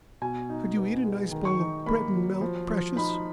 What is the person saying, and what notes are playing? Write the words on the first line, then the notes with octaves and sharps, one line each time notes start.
"Could you eat a nice bowl of bread-and-milk, precious?"
B2 G#5
D#4
B3
G#3
D#3
C#6
D#4
A#3 B5
F#3
F3
F3
D#4 B5